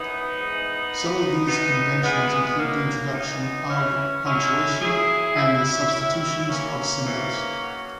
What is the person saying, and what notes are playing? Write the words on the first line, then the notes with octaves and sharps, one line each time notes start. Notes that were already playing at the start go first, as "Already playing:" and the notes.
Some of these conventions include the introduction of punctuation and the substitutions of symbols.
Already playing: F#2 E3 B3 D#4
G#2 E3
A#2 F#3
F#2 E3 B3 D#4
G#2 E3 G#3 B3
A#2 F#3 A#3
F#2 E3 B3 D#4
F#2 C#3 E3 C#4 E4
B2 F#3 C#4 E4
A#2 F#3 E4 G#4
A#2 F#3 C#4 E4
G#2 D#3 F#3
F#2 E3 A#3 C#4
G#2 E3
B2 F#3